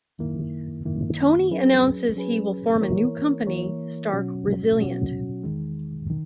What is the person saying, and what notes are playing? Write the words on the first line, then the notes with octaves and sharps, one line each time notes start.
Tony announces he will form a new company, Stark Resilient.
F#2 D#3 A#3 E4
F#2 D#3 A#3 E4
F#3 C#4 G#4 B4
F#3 C#4 G#4 B4
E3 A#3 E4 A#4 C#5
E3 A#3 E4 A#4 C#5
B2 F#3 C#4 F#4
B2 F#3 C#4 F#4
E2 D#3 G#3
D#3